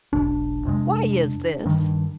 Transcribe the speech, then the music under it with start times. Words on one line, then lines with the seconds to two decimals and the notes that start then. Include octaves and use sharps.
Why is this?'
0.13 E1 B1 D4
0.65 F2 C3 G#3
1.66 G2 D#3